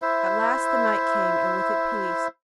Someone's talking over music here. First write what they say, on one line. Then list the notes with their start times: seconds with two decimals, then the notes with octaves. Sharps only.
At last the night came, and with it peace.
0.02 E4 C5 E5